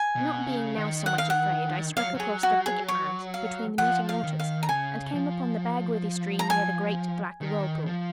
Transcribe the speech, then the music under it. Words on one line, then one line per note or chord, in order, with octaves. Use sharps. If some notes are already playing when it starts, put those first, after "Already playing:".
Not being now so much afraid, I struck across the thicket land between the meeting waters, and came upon the Bagworthy stream near the great black whirlpool.
Already playing: G#5
B2
C#3
D#3
F#5
F5
F#5
F#3 F5
F#3 G#4
F#4
G#4
C#5
F5
F3 F#5
F5
D#3
F5
A#5
C#3 G#5
F3
A#5
G#5
D#3
F3